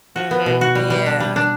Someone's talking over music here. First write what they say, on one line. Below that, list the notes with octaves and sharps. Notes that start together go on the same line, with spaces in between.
Mhm, yeah.
F#4
B3
B2
F#4
G3
G3
D4
G3
D4